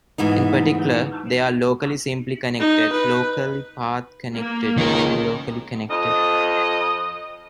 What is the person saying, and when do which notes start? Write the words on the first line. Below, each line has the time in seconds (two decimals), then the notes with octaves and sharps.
In particular, they are locally simply connected, locally path connected, and locally connected.
0.18 D2 G#2 E3 B3 D#4
2.59 D#4
2.92 B4
4.36 A#3
4.78 C#2 D#3 A#4
5.90 F2 D#5